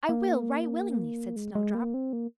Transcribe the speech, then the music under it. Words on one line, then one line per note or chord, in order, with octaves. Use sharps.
"I will, right willingly," said Snowdrop.
A#3
G#3
G#3
A#3
C4
A#3